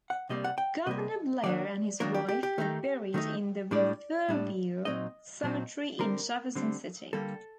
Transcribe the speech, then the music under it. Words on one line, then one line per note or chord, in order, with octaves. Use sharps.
Governor Blair and his wife were buried in the Riverview Cemetery in Jefferson City.
F#5
C3 G3 A#3 D#5
F#5
G5
C3 G3 A#3 D#5
D#3 F#3 A#3 D4 D5
D#3 F#3 A#3 D4 A#4
G4
G4
G4
D#3 A3 D#4
D#3 A3 D#4
A2 G3 D4 D5
A2 G3 D4
A#2 F#3 C4 D#4 D#5
A#2 F#3 C4 D#4
D3 G3 C4 A#4
D3 G3 C4
D3 G3 A#3 A4